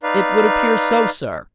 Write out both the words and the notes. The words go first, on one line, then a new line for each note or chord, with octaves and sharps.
"It would appear so, sir."
D#4 B4 D5 F5